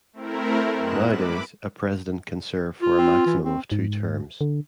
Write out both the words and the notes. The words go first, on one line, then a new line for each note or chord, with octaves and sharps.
Nowadays, a President can serve for a maximum of two terms.
A3 C4 E4 A#4
F#2 G#3 B3 F#6 E7
B5 D6
F4
C4
E3
C4
G#2
D3